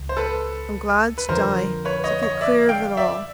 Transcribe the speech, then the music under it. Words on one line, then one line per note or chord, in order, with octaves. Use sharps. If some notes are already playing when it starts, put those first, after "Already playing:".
I'm glad to die--to get clear of it all.
Already playing: C#2
C5
A4 B4
B4
F2 D3 F3 A#4 C5
B4 C#5
C#5 D#5
C#5 D#5
D5 E5
F5 G5
D5 E5